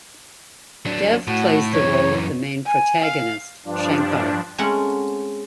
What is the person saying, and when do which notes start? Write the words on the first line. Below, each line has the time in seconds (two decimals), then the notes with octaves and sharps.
Dev plays the role of the main protagonist, Shankar.
0.85 F#3 D4
1.27 A2 F#4
1.73 F#2 E3 C#5
2.65 G#5
3.02 F5
3.63 G2 F3 D4
4.58 G#3 A3 C4 C#4 A#4 F#5